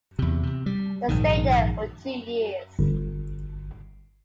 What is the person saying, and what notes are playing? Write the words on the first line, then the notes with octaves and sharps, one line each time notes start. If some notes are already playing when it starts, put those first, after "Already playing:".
They stayed there for two years.
E2 C3
C3
G3
A#1 G#2 D#3
G1